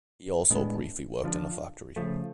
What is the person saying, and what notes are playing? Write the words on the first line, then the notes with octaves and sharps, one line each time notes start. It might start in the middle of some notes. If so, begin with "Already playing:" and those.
He also briefly worked in a factory.
A2 G#3 B3 D4
D3 F3 B3 D4
C#3 F3 A3